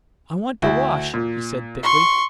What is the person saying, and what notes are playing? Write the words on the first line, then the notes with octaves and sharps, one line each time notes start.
"I want to wash," he said, thickly.
D2 E4
A#2
C6 C#6